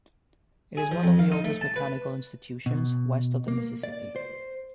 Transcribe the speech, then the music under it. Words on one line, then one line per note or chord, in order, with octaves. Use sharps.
It is one of the oldest botanical institutions west of the Mississippi.
G#4
F3
F2
F5
D#4
A3
A5
B4
B2
A#3
D5
C5